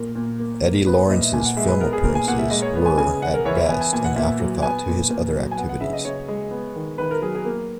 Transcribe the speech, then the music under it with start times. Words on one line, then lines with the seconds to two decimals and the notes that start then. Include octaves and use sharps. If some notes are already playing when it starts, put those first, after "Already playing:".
Eddie Lawrence's film appearances were, at best, an afterthought to his other activities.
Already playing: A#2 A#4
0.15 A#2
0.39 A#3
0.63 A#3
0.86 B3 B4
1.09 A#2 D#5
1.22 E5
1.33 A#2 G#5
1.45 F#5
1.57 G#3 E5
1.68 B4
1.80 B3 A#4
1.93 G#4
2.04 A#2 A#4
2.15 G#5
2.28 A#2 F#5
2.39 E5
2.50 G#3 D#5
2.62 C#5
2.75 B3
2.86 G#5
2.98 C#3 G#5
3.22 C#3 F#5
3.34 A#4
3.45 E3 C#5
3.56 E5
3.68 B3 G#5
3.81 G#5
3.93 A#2 G#5
4.05 F#5
4.16 A#2 E5
4.40 F#3
4.62 B3 G#5
4.87 A#2
5.10 A#2
5.33 F#3
5.51 G#5
5.57 B3 F#5
5.69 F#5
5.81 C#3 E5
5.93 D#5
6.05 C#3 C#5
6.28 G#3
6.51 B3
6.76 D#3
6.98 D#3 B4
7.11 A#4
7.22 F#3 G#4
7.35 G#4
7.45 A#3